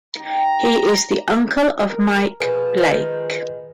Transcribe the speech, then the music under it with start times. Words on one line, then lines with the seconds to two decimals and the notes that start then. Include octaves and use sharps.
He is the uncle of Mike Blake.
0.16 D#4 G4 A#5
1.90 A#4
2.40 B2 F3 G#4 B4
2.77 D#3 F3 G#3